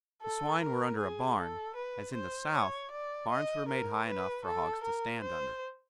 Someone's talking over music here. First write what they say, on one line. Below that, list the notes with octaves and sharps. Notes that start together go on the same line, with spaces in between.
The swine were under a barn, as in the South barns were made high enough for hogs to stand under.
A4
A#4
G#4
A4
B4
C5
C#5
D5
D#5
A#4
B4
A4
A#4
C5